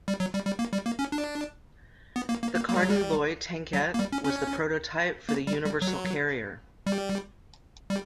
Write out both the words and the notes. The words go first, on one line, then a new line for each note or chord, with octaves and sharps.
The Carden Loyd tankette was the prototype for the Universal Carrier.
G3
F#3
G3
G3
A#3
G3
A#3
C#4
D4
B3
A#3
A#3
A#3
A#3
G3
F#3
G3
F#3
A#3
G3
C#4
C#4
A#3
G3
G3
F#3
G3
G3